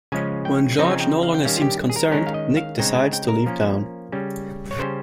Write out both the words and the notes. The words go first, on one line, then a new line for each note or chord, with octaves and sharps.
When George no longer seems concerned, Nick decides to leave town.
C#3 F3 G#3 C#4 G#5
G5
C#3 F3 C4 D#4 G5
G#5
G5
F5
G5
D#3 G3 C#4 F5
F4
G4
G#4
A#4
D#3 G#3 C#4 A#4
F5
D#5
F5
C#3 G#3 C4 D#4 G5
G#5
G5
A#4
F3 A#3 C#4
C#3 G3 C#4
C#5
C#3 G3 C#4 C5